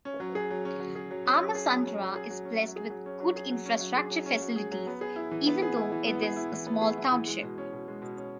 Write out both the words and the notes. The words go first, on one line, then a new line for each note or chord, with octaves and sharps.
Ammasandra is blessed with good infrastructure facilities even though it is a small township.
C#4
F#3
G#4
F#3
C#4
F#3
G#4
F#3
C#4
F#3
G#4
F#3
C#4
F#3
G#4
F#3
C#4
F#3
G#4
F#3
C#4
F#3
G#4
F#3
C#4
F#3
G#4
F#3
C#4
F#3
G#4
F#3
B3
G#4
E4
E3
B3
G#4
E4
E3
B3
G#4
E4
E3
B3
G#4
E4
E3
G#3
B2
C#4
B2
G#3
B2
C#4